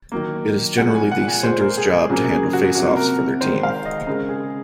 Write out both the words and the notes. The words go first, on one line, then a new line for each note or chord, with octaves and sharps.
It is generally the centre's job to handle faceoffs for their team.
D#3 F#3 A#3
A#2 F3 G#3 F#5
G#5
F#5
G#5
A#2 G#3 C5
A#4
G#4
C#3 F#3 A#3 G#4
G#4
F#4
C3 F3 A#3 F#4
A#4
D#3 G#3 C5
F5
D#5
C#3 G#3 A#4
G#4